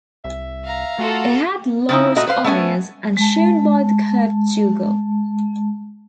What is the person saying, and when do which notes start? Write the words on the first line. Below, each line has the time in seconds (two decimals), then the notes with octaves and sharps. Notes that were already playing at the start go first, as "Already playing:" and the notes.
It had large eyes as shown by the curved jugal.
0.25 C2 E5
0.64 F5 A#5
0.99 A3 F4 F#4 A4 F#5
1.89 C#3 E3 C4 D#4 E4
2.15 A#2 A3 F#4 D#5 A#5
2.27 B4 C5 F5
2.44 A3 B3 C#4 D#5 G#5
3.17 G#3 A5